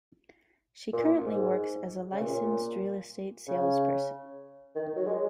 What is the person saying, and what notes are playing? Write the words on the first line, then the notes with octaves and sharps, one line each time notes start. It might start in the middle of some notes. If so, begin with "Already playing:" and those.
She currently works as a licensed real estate salesperson.
A#2
G#2
C#3
A#2
C#3
D#3
F#3
G#3